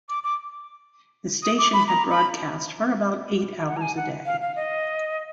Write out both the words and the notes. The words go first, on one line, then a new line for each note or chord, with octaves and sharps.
The station had broadcast for about eight hours a day.
D6
D6
D#6
D6
B5
A#5
B5
F#5
A#5
G#5
F#5
F5
F5
D#5